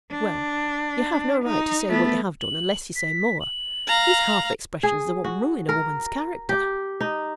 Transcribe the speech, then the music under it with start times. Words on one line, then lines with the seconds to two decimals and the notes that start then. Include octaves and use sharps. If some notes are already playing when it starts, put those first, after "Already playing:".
'Well! you have no right to say what you have done, unless you say more. These half-expressions are what ruin a woman's character.'
0.11 D4
1.45 D#4
1.89 A3 B3
2.41 F#7
2.96 B6
3.41 F#7
3.87 F5 A#5
4.83 G#4
5.24 F#4
5.69 A#4
6.49 G4
7.01 D#4